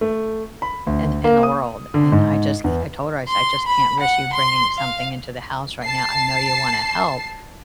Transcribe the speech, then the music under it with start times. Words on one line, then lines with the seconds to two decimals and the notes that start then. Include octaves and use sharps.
in th in the world, and I just c I told her, I said, "I just can't risk you bringing something into the house right now. I know you wanna help,
0.01 A3
0.62 B5
0.87 D2
1.24 A#3
1.43 D#6
1.94 D3
2.12 G#2
2.64 E2
3.28 C6
3.67 B5
4.00 F#5
4.33 C6
4.77 F5
5.84 A5 C7